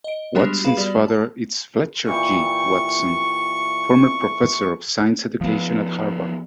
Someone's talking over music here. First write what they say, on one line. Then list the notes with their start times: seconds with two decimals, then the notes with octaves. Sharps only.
Watson's father is Fletcher G. Watson, former professor of science education at Harvard.
0.04 D#5 D7
0.35 G3 G#3 B3 D4 F#4 G4
0.64 G#4 B4 F5 B5 E7
0.77 G3 B3 F#4 G4 D5
1.08 A5
2.07 A#2 E3 G4 C#6
5.41 F3 B3